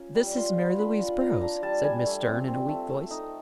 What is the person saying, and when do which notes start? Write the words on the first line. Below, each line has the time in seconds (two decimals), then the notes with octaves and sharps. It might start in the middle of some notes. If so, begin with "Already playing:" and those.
"This is Mary Louise Burrows," said Miss Stearne, in a weak voice.
Already playing: A#3 C#4 F4
0.15 G3
0.36 F4 C6
0.57 B3
0.78 D4 B5
0.99 F4
1.21 F4 A#5
1.41 D4 A#5
1.62 G3 A5
1.84 G3 G#5
2.06 A3
2.26 C4
2.48 C4
2.69 A3
2.89 A3
3.11 D#4